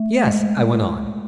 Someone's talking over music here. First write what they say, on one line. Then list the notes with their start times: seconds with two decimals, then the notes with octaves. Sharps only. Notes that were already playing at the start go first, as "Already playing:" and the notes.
"Yes," I went on.
Already playing: A3
0.28 G#3